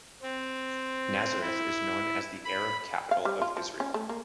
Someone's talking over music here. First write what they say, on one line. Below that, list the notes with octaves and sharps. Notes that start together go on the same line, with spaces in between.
Nazareth is known as "the Arab capital of Israel".
C4
E4
B5
F5
G3
F4
F3
C#4
A3
A#3